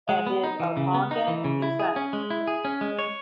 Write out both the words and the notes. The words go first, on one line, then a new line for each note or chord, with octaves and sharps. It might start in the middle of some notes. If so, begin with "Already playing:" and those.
And is of Tongan descent.
G#3
B3
D#4
E3
C#3
B3
D#4
E3
C#3
E4
G#4
C#4
G#3
E4
G#4
C#4
G#3
C#5